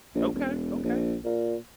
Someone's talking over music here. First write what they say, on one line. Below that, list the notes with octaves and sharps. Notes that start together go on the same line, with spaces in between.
Okay, okay.
A#1
E1
A#1
A#2